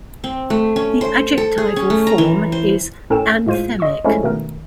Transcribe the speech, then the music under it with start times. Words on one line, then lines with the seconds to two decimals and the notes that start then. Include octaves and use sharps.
The adjectival form is "anthemic".
0.24 C4
0.50 A3
0.76 C#4
1.01 C5
1.38 A4
1.58 G#4
1.76 C#4
1.90 A3
2.07 A#5
2.18 E3
2.52 C5
3.10 A2 C#4 A4 A#4 G5 E7
3.47 A2 G#3 F4 C5 D#7
3.79 D#5 C6 C#6 E6
4.04 F3 G#3 A3 C#4 E4 A4
4.23 B2 D#3 A3 B3 A#4